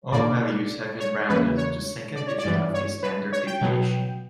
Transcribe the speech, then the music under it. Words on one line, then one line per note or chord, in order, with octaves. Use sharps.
All values have been rounded to second digit of the standard deviation.
A#2 A#3 D5
C#5
E2 C#3 E3 A#3 B4
C#5
D5
C#5
D5
G2 E3 B3
C#5
B4
C#5
G5
B2 F#3 B3